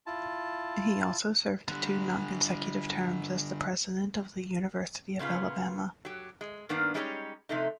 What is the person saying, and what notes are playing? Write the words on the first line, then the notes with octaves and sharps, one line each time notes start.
He also served two nonconsecutive terms as the president of the University of Alabama.
E4 F4 A5
D3 G3
A#2 C#3 B3 F4
F#3 G4
G#3
G2 D#3 A#3 B3 D4
G3 G#3 C#4 D#4 G4 C#5
C3 F3 A3 D#4